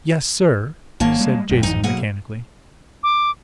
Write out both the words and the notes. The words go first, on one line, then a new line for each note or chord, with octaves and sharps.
"Yes, sir," said Jason mechanically.
G#1 D#3 A#3 C#4 A5
G3 G#3
F1 F#2 G#3
G#1 F2 E3 D#4
B2 F#3 A#3 G#4 F#5
D6